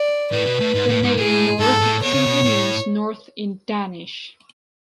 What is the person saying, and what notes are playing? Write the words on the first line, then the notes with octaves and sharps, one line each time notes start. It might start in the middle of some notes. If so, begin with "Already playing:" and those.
The name "Nord" simply means "north" in Danish.
Already playing: D5
A2 B4
B2
A2
G#2
A2
G#2
A2 G#4
G#2 A4
A2
B2 C#5
C#3
B2
A2